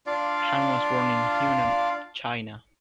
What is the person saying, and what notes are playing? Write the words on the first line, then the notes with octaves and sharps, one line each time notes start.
Han was born in Hunan, China.
D4 F4 D5 F5